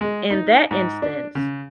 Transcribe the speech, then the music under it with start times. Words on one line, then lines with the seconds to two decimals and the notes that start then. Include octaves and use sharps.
in that instance,
0.01 G#3
0.31 D#4
0.71 G#2
1.02 D4
1.35 C#3